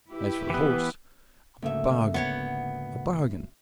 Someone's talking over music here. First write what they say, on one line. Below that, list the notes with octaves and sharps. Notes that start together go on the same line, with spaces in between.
As for the horse--a bargain, a bargain.'
E4 G4 B4
E3 B3
D2 G#2 C#3 A3 A#3 E5
B3 C#5 F#5